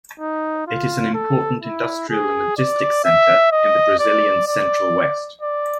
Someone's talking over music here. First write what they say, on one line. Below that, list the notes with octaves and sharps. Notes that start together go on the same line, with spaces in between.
It is an important industrial and logistics center in the Brazilian Central-West.
D#4
F4
A4
E4
G#4
D5
E5
D#5
D5
D5
D5